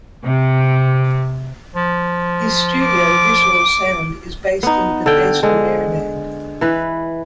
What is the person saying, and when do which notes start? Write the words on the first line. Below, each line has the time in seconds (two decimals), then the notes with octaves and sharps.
His studio, Visceral Sound, is based in Bethesda, Maryland.
0.24 C3
1.76 F3
2.84 D6
4.63 B3 D#4
5.06 D3 G5
5.43 D3 G#3
6.61 E3 B4